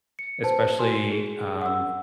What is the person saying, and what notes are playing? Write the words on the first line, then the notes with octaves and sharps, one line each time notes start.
especially, um,
C#7
B4 C5 A5
F#4 G#5 C6
G#4
F#5 E6